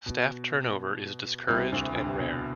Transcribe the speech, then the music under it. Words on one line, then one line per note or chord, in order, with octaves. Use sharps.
Staff turnover is discouraged and rare.
B2
C2 C3
D2 D3
D2 D3
B2